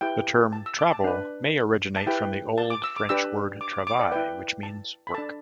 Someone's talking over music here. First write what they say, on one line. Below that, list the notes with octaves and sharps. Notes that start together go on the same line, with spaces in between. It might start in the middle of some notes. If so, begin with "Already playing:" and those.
The term "travel" may originate from the Old French word "travail", which means 'work'.
E4 G4 B4 G5
A5
E6
D6
A5
D4 B4
A5
E4 G4 B4 G5
A5
D6
E6
D6
D4 G4 B4 E6
D6
D6
D6
D5
E4 B4 G5
A5
B5
D4 A4 A5